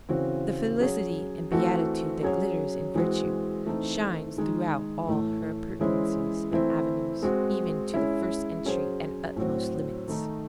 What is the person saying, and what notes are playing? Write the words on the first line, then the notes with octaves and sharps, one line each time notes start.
The felicity and beatitude that glitters in Virtue, shines throughout all her appurtenances and avenues, even to the first entry and utmost limits.
C#3 E3 C4 F#4
F#3 C#4 G#4 C#5
E3 A3 C4 F#4 C5
F#3 C#4 G#4 C#5
E3 G#3 C4 F#4
E3 A3 C4 D#4
D#3 G#3 D#4 G#4
A2 E3 A3
E3 G#3 C#4 E4 C5
E3 A3 C4 E4 C5
G#3 C4 F#4
G#3 C#4 E4
F#3 C#4 G#4 C5
A2 F#3 C4 F#4
D#3 A3 D#4